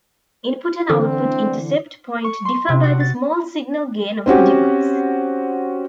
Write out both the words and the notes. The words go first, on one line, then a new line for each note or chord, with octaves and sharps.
Input and output intercept point differ by the small-signal gain of the device.
D3 E3 C4 A4
C#6
C6
C3
F#4
A6
C4 C#4 F#4 G4